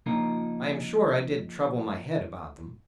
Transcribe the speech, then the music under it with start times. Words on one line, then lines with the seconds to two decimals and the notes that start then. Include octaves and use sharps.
I am sure I did trouble my head about them.
0.06 C#3 F3 A#3 D#4 F4 A#4